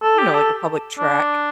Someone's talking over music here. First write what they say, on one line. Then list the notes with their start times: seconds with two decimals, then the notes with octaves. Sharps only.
you know, like a public track
0.02 A4
0.18 G4
0.34 A4
0.98 D4